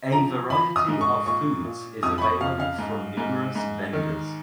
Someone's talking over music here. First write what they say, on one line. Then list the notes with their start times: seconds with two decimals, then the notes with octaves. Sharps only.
A variety of foods is available from numerous vendors.
0.12 F3 A#5
0.50 F3 B5
0.76 D#6
0.88 G#2
1.01 C#6
1.26 A#2 C#6
1.65 A#2
2.03 F2 D#6
2.18 B5
2.22 C#6
2.41 F2 F5
2.60 F5
2.78 G#2
3.17 G#2
3.55 G#2
3.93 D#3